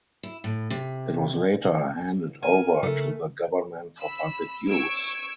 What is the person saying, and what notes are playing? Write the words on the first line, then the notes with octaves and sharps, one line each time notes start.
It was later handed over to the government for public use.
E4
A2
C3
A#4 G#5
C#3 A3 D#4
B5 E6
C#6 E6 G#6 D7